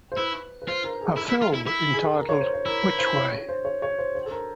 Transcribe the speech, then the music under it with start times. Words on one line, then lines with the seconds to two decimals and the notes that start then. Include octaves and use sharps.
A film entitled Witch Way?
0.12 C5
0.18 E4 B4
0.62 B4
0.67 F4 C5
0.84 A#4
1.01 G#4
1.17 E4 A4
1.29 E4
1.42 F4
1.54 E4
1.67 E4
1.93 G#4
2.04 A4
2.16 A#4
2.29 C#5
2.41 C5
2.54 C5
2.66 E4 A#4
2.83 B4
2.99 C5
3.15 C#5
3.32 C#5
3.49 C5
3.65 C#5
3.82 C#5
3.99 C5
4.15 C5
4.26 A4
4.31 A#4